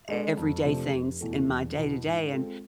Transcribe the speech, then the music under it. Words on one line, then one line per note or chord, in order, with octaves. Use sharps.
everyday things in my day-to-day, and
G#3 D4 A4
F2
C3 F3 A3 D4
F1
E2 B2 A3
E1
E2 B2 B3
G#2
G#3 C4 F4 A4